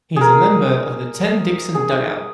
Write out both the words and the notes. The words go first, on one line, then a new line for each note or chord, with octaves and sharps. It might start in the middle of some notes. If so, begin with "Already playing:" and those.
He is a member of the Tenn-Dixon Dugout.
G#4 A#4
G#4